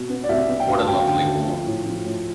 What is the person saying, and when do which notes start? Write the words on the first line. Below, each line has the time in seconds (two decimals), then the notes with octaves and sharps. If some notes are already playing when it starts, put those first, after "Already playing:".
What a Lovely War.
Already playing: B2
0.10 B3
0.24 D5
0.29 C2 E5
0.48 B3
0.60 G5
0.68 D2 F5
0.78 A5
0.88 D2 G5
0.97 F5
1.07 D3 G5
1.27 A3
1.46 F3
1.66 A2
1.85 F3
2.05 A2